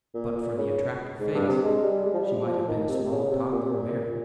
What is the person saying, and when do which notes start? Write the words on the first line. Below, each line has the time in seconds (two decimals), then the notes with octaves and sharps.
But for the attractive face she might have been a small toddling bear.
0.14 A#2
0.36 A#2
0.58 C#3
1.20 G#2
1.35 G2
1.49 C3
1.63 G#3
1.84 G3
2.05 G#3
2.14 F3
2.19 G3
2.47 F3
2.59 F3
2.68 D#3
2.89 C3
3.04 C3
3.11 C#3
3.31 C3
3.52 A#2
3.65 C3
3.73 A#2